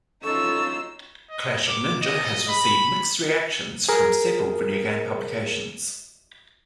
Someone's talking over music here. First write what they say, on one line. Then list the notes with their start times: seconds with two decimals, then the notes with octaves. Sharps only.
"Clash of Ninja" has received mixed reactions from several video game publications.
0.24 C#4 D#4 F4 A4 C#6 E6
1.29 D#5
1.68 D6
2.03 D#5
2.48 B5
3.89 G#4 A#4